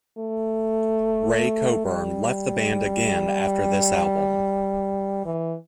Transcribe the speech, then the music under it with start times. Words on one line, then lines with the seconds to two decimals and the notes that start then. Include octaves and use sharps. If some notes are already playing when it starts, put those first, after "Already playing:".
Ray Coburn left the band again after this album.
0.18 A3
1.87 G3
5.26 E3